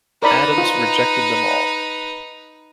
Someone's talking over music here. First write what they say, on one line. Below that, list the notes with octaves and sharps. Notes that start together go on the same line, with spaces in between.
Adams rejected them all.
D#4 A#4 B4 D5 B5
F4